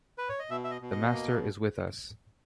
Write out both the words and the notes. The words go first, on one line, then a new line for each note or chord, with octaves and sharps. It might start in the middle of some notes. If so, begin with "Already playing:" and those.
The Master is with us.
B4
C#5
D#5
B2 E5
E5
D#5
B2
D#5
A#3